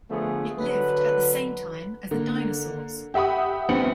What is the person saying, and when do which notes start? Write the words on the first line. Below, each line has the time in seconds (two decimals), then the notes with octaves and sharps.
It lived at the same time as the dinosaurs.
0.11 D3 F3 A3 B3 G#4
0.59 D3 F#3 B4
2.11 D3 A#3
3.14 G4 E5 F#5 B5 D#6
3.69 A#1 G2 B3 C4 C#7 F#7